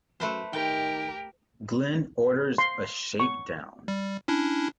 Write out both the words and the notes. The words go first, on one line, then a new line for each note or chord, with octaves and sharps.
Glynn orders a shakedown.
F#2 A3 B4 C5
D#3 G4 A#4 G5
C6
C#6
G3
C#4 D4 E4